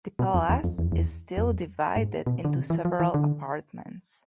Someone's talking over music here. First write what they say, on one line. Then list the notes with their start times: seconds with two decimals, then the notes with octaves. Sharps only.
The palace is still divided into several apartments.
0.19 B2
0.34 F2
0.49 E2
0.64 F2
0.78 E2
0.85 F2
0.92 E2
1.37 F2
1.96 G#2
2.26 B2
2.45 D3
2.56 C3
2.70 E3
2.85 F3
3.00 E3
3.14 D3